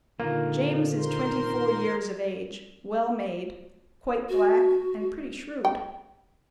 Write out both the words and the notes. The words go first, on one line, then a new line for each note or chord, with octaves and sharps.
James is twenty-four years of age, well made, quite black and pretty shrewd.
A#2 D3 D#3 A#3 F4
A#4 C5 C6
F#4
G5